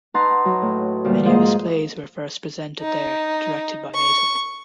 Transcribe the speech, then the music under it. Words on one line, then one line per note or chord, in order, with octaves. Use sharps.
Many of his plays were first presented there, directed by Mason.
D#4 B4 F#5 A5 A#5 C6
F#3
A2
D2 A#2 G3
G#2 F3 A#3 G#4 D#5
D#4
C#6